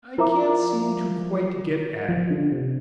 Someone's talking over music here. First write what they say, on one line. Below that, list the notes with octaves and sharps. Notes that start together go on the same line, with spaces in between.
I can't seem to quite get at it.
F3 E4 A#4 E5 A#5 D6
F3
D3
C3